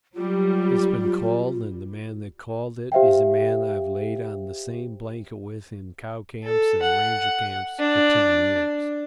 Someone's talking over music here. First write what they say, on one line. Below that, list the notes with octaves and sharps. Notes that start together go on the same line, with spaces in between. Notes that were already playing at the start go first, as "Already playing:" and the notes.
It's been called, and the man that called it is a man I've laid on the same blanket with in cow-camps and ranger-camps for ten years.
F#3 G3 F4
G4 C5 E5 F5 G5
A4
F#5
D4